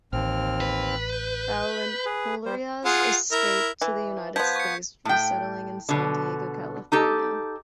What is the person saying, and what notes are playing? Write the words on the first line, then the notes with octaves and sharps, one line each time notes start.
Blancornelas escaped to the United States, resettling in San Diego, California.
A1 D#2 C4 F6
B4
G6
G#4 B4
G3 C5
F4 G#4 F#5
E4 A#4
E3
F3 B3 G6 G#6 B6
C#6 C#7
A2 G5
B2 D3
D#4 G4 A4